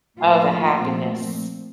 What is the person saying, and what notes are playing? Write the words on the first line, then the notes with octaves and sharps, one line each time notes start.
oh, the happiness.
A2 F3 A#3 F4
A#2 F3 A3 C4